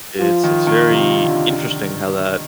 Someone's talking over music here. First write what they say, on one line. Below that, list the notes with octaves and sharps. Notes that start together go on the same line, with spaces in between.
it's it's very interesting how that
F3 F4
D#3
D#3
C3
D3